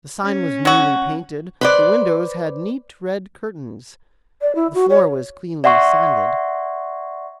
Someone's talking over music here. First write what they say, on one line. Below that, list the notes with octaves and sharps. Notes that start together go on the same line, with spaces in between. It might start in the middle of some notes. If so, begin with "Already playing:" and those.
The sign was newly painted; the windows had neat red curtains; the floor was cleanly sanded.
C#4
F#3 F#4
B4 C5 D5
D5
E4
F#4
C#5
D5 E5 F#5 C6 C#6